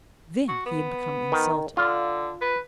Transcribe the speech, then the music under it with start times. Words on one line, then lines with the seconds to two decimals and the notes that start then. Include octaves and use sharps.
Then he had become insulting.
0.48 F#4
0.66 B3
1.32 D#3
1.77 D3 F4
2.41 B4